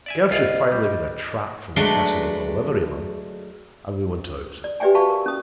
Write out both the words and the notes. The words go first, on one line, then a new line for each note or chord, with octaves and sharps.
Gertrude finally got a trap from the Casanova liveryman, and we went out.
D5 E5 G#5
C2 F4 G#4 D#5
G3
F#3 G#3 A3 D4 B4 C6
D5
G4 B4 D5 E5 G5 G#5
F#4 B4 E5 F5 A5 C#6
A#4
C#4 D#6